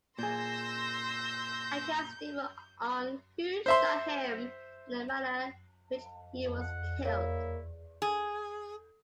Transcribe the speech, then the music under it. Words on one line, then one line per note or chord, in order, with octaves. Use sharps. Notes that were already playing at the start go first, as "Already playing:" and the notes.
Accounts differ on who shot him and the manner in which he was killed.
A#2 G#4 C6 E6 G6 A#6
C5 E5 C6
F#5
A#3 E4 C#5 F5
G#4